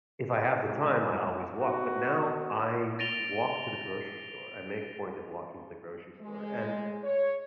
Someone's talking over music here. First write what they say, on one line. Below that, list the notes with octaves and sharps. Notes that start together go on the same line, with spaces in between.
if I have the time, I always walk, but now I walk to the grocery store, I make a point of walking to the grocery store and
G#3 A#3 F4 F#4
B3 D#4 F#4
A6 A#6 D7 D#7 F7 G7
G#3
C#5